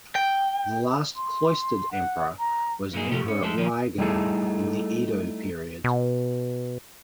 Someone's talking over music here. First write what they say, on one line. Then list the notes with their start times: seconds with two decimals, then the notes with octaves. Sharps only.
The last cloistered emperor was Emperor Reigen, in the Edo period.
0.15 G5
1.16 C6
1.91 F#5
2.38 A#5
2.93 G2 F#3 A3 A#3 D#4 G#4
3.11 C3 F3 A3 G4 A4 A#4
3.24 G#2 C#4
3.42 F2 G#3 A3 A4
3.58 D#3 F3 A#3
3.98 G3 A3 D#4 E4 G#4 A4
5.84 B2